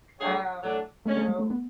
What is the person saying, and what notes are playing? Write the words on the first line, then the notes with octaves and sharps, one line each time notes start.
Um, so
F#3 A3 D4 G#4 C#5
A2 F#3 A3 D4 A4
D3 G#3 A3 C#4
A3
G#3
A3
B3